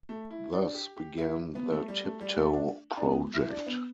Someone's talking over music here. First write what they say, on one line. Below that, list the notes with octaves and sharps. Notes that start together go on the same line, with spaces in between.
Thus began the Tip Tow project.
A3
E4
D4
G4
G4
E4
B3
A3
G3
A3
G3
A3
D4
D4
B3
E4
D4
B3